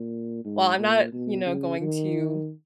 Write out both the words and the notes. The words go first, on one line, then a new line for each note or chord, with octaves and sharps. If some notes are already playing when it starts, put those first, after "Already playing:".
well, I'm not, you know, going to
Already playing: A#2
G#2
A#2
B2
C#3
D#3